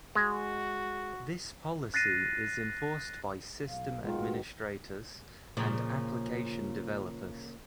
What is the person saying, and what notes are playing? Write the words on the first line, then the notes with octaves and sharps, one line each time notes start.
This policy is enforced by system administrators and application developers.
G#3 F#4
F#6 A6 A#6 C7 D#7
B1 F5
B2 D#3 G#3 F4
A#2 C#3 F3